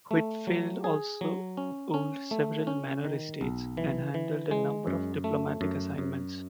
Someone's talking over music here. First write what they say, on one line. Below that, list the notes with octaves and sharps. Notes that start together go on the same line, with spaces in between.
Huitfeldt also owned several manor estates and handled a number of diplomatic assignments.
A3
F#3
G#4
F#3
C#4
C#4
A3
C#4
D#3
B1
E3
E3
G#3
F#2
A3
F#2
F#2